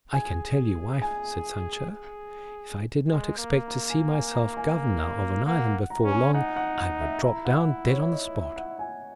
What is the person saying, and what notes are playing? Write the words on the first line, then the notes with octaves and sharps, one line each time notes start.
"I can tell you, wife," said Sancho, "if I did not expect to see myself governor of an island before long, I would drop down dead on the spot."
G#4 G#5
G#5
G#4
G#3
A#3
A#5
G#5
G#5
A#5
G#5
A#3 F#5
A#5
C#4
G#5
D#4 F#5
F#5
F#5
E5
E4 A#5
F#5
E5
C#5
D#5
E5
F#5
G#5